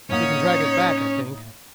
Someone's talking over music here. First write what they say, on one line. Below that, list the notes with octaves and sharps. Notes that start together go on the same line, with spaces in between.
We can drag it back, I think.
A2 A#3 C#4 D#4 C#5 F#5